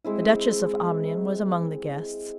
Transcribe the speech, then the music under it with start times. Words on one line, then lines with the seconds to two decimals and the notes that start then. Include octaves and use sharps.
The Duchess of Omnium was among the guests.
0.04 G#3 C4 E4